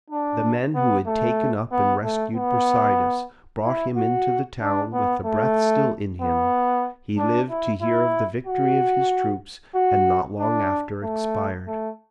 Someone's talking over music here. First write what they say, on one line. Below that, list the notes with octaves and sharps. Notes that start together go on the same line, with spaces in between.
The men who had taken up and rescued Brasidas, brought him into the town with the breath still in him: he lived to hear of the victory of his troops, and not long after expired.
D4
B3
A3
B3
A3
B3
E4
F#4
D4
B3
A3
B3
D4
E4
E4
F#4
F#4
D4
A3
A3